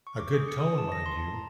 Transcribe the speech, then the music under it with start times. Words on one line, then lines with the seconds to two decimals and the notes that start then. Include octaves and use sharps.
A good tone, mind you!
0.07 C#6
0.20 D6
0.34 G#4
0.48 C#7
0.60 D#6
0.78 A5
0.92 A#6
1.06 C6
1.18 A5
1.34 A#5